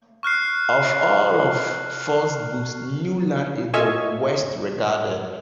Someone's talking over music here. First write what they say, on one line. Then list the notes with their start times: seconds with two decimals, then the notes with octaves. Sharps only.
Of all of Fort's books, "New Lands" is the worst-regarded.
0.23 C#6 F6 F#6 C7
3.74 F4 A4 D#5 E5 G#5 C#6